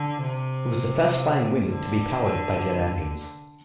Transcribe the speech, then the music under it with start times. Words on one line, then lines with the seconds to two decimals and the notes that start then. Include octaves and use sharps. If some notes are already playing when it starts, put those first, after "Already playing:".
It was the first flying wing to be powered by jet engines.
Already playing: D3
0.23 C3
1.70 D3